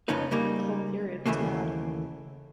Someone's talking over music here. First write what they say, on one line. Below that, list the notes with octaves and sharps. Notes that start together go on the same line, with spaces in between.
The whole period was mad!
F2 C#3 F3 C#4 D#4 B4
C#3 G3 A#3 D#4
D#2 G#2 C#3 E3 A3 A#3